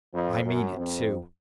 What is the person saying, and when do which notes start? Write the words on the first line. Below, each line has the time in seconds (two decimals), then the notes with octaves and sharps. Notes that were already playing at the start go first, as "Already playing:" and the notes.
I mean it too.
0.13 F2 F3
0.45 F#2 F#3
0.77 F2 C4